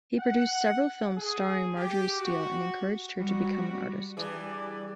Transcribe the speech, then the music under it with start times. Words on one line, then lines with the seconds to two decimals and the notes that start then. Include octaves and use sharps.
He produced several films starring Marjorie Steele and encouraged her to become an artist.
0.19 F#5
1.17 G#4
1.76 G4
2.17 F#4
3.17 G3 F#4
4.17 E3 G3 D4 G#4 B4 D5